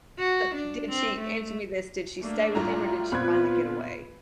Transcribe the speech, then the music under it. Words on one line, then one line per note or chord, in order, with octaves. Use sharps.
Th Did she answer me this: Did she stay with him or did she finally get away?
F#4
D4
C4
A3
A3 A#3 D4
A2 G3 F4 A#5
A#2 B3 C4 B4 B5 F#6 G#6